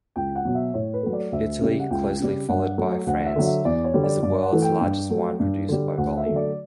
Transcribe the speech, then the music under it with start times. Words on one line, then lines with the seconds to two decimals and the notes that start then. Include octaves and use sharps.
Italy, closely followed by France, is the world's largest wine producer by volume.
0.16 C#2 G5
0.35 F#5
0.45 B2 F#3
0.55 E5
0.74 A2 C#5
0.94 B4
1.03 F#3 A3
1.13 D5
1.32 D2 E5
1.61 C#3 G3
1.79 F#5
1.90 C#2 G5
2.19 C#3 G3
2.49 G2 F#5
2.78 F#3 A3
3.06 D2 F#5
3.26 E5
3.36 D3 F#3
3.45 E5
3.65 E2 D5
3.84 C#5
3.94 D3 G3
4.03 D5
4.23 G2 D5
4.43 F#5
4.52 E3 A3
4.62 G5
4.81 G2
5.10 F#3 A3
5.40 G2
5.69 D3 G3
5.97 D2 F#5
6.17 E5
6.26 D3 F#3 A3
6.36 D5